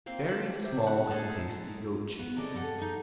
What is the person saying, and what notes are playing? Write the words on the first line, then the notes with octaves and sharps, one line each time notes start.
Very small and tasty goat cheese.
A#3 C4 C6
A5 B5
G4 C5 E5
D3 F#5
D#4 G#4 A4
B3
C3 G#4 A4 D5 D#5
G3 A4 F#5
D#4 G#4